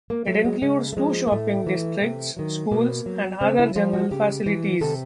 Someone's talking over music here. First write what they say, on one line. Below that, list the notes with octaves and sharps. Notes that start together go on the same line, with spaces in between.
It includes two shopping districts, schools and other general facilities.
A#3
F#3 A3
G#3
C#3 G#3
A3
F3 G#3
A#3
A2 A3
E3
C3
D#3 F#3
B2 A#3
F#3
C#3 C4
E4
F3 F4
F#4
C#3 G4
E3
C3 A4